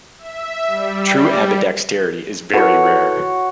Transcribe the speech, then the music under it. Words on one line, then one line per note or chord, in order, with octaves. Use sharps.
True ambidexterity is very rare.
E5
G3
E4 F#4 A4 B4 C#5